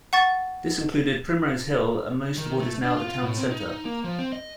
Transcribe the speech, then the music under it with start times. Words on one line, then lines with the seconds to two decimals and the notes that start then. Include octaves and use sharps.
This included Primrose Hill and most of what is now the town centre.
0.13 F#5 C#6 A6
2.38 D#3
2.59 A3
2.84 D4
2.97 F4
3.09 F4
3.22 A2
3.38 C4
3.51 D#4
3.85 A#3
4.04 F3
4.19 C4
4.32 D#5